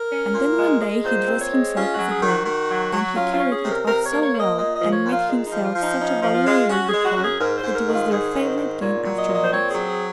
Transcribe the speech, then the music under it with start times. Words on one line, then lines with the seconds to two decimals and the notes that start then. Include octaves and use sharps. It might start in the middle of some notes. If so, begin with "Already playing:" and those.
And then one day he dressed himself as a girl, and he carried it off so well, and made himself such a valuable decoy, that it was their favourite game afterwards.
Already playing: A#4
0.10 C#4
0.34 A#2
0.58 G#3
0.81 G#3
1.05 A#2 C5
1.28 C4
1.40 C#5
1.51 G#3
1.75 C#4 F4
1.92 F#4
1.98 F#3
2.11 G#4
2.23 D#3
2.28 F#4
2.46 D#3
2.70 F#3
2.92 F#3
3.16 C#4 F4
3.34 F4
3.40 C#4
3.51 G#4
3.64 C3
3.70 A#4
3.87 C3 A#4
4.05 C#5
4.11 A#3
4.22 C#5
4.34 A#3
4.40 D#5
4.58 A#2 D#5
4.75 D#5
4.81 F3
4.93 C#5
5.05 A#2
5.10 F4
5.28 G#3
5.46 D#4
5.51 F3
5.63 F4
5.75 F3
5.81 D#4
5.99 C#4 D#4
6.23 F3
6.34 F4
6.46 G#3
6.70 C#4 F#4
6.87 G#4
6.93 G#3
7.05 F#4
7.17 F#2
7.22 G#4
7.40 G#2 A#4
7.58 C5
7.64 G#2
7.75 A#4
7.87 D#3
7.93 F4
8.10 G#2 G#4
8.34 D#3
8.46 C5
8.57 G#2
8.81 A#2 C#5
9.04 F#3
9.16 D#5
9.28 A#2
9.34 D#5
9.43 C5
9.52 C4 C#5
9.69 G#4
9.75 F#3
9.87 G#4